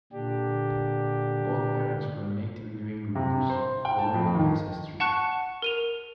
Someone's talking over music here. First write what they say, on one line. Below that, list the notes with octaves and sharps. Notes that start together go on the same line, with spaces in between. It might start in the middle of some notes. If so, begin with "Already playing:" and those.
Both parents were native New Englanders of colonial ancestry.
A#2 D3 D4 G4
C3
C5
G5
A5
F2
D#3
F#5 A5 C#6 F#6 C#7
A#4 D#7 F7